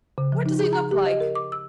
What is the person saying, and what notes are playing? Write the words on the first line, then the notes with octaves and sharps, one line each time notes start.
What does he look like?'
C#3
F3
D#4
G#4
A#5
G4
D#5
A#4
D6
E6